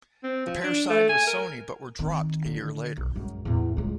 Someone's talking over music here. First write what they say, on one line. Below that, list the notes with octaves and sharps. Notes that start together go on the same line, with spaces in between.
The pair signed with Sony but were dropped a year later.
C4
F3
D4
A3
G#5
A#4
D#3 C4
D3
B1
F#2 G#3
E2 A2
C#2 G#3